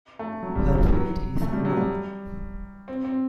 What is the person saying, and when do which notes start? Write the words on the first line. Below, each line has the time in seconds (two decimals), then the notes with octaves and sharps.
Her fate is unknown.
0.19 A3
0.43 F#3
0.55 G3
0.68 F#3
0.80 G3
0.92 F#3
1.42 A3
1.53 G3
1.65 F#3
1.77 G3
2.88 C4
3.05 C4